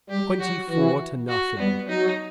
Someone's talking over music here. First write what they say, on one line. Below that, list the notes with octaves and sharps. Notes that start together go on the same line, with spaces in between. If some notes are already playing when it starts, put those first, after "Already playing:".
"Twenty-four to nothing."
G3 G4
F#3 F#4
E3 F#4
F#4
G3 B3
F#3 D#4